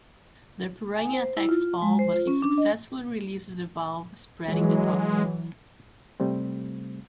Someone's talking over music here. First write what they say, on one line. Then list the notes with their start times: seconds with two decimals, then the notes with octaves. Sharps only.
The piranha attacks Paul but he successfully releases the valve, spreading the toxins.
0.96 G#5
1.13 C5
1.37 E4
1.49 F4
1.82 G#3
1.99 C5
2.13 F4
2.27 C#4
2.42 D4
2.58 D#5
4.48 E3 F#3 G#3
6.20 C3 G3 A3 C4